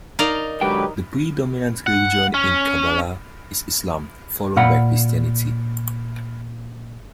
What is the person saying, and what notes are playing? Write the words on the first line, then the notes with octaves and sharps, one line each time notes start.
The predominant religion in Kabala is Islam, followed by Christianity.
D#4 A#4 D5 F5
G#2 D3 F#3 G4 B4 G5
F#5
C#4
A#2 F5 F#5 B5